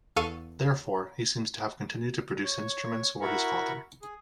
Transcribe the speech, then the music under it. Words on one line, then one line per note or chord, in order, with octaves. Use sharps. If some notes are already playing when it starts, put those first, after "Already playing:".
Therefore, he seems to have continued to produce instruments for his father.
E2 A4 F5 C#6 D#7
C#5
E4 F#4 A#4 B5 C#6
G#4